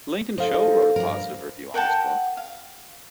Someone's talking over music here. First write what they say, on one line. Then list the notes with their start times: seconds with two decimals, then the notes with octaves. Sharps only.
Lincoln Cho wrote a positive review on this book.
0.38 D#4 A4 C5 F5
0.96 G2 A#4
1.74 A#4 F#5 G5 A5
2.37 F5